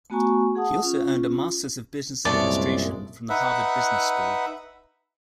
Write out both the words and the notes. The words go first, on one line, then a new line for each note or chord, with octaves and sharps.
He also earned a Masters of Business Administration from the Harvard Business School.
A3 B3 F#4 G#5 A#5 C#6
G#4 F#5 A5 D#6
C#4 F4
C2 F#2 A#2 G#3 A3 C#5 D5 A5
D#4 B4 E5 F#5